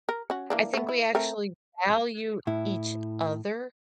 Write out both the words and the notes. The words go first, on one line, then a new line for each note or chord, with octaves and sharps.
I think we actually value each other
A#4
C#4 F#4
E3 A#3 D4
A3 B3
E4
A3 C4 A#4
A2 E4